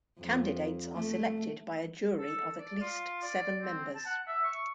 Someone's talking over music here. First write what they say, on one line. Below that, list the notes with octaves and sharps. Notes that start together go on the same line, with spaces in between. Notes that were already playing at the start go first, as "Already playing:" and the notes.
Candidates are selected by a jury of at least seven members.
F2
A3
A4
D5
F4
D5
C4
A5
F#5
E5
C#6